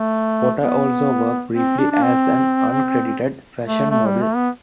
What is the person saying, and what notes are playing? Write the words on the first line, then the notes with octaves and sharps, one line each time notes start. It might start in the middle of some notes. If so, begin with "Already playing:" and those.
Potter also worked briefly as an uncredited fashion model.
Already playing: A3
B3
C4
D4
D4
C4
A3
A3
G3
A3
B3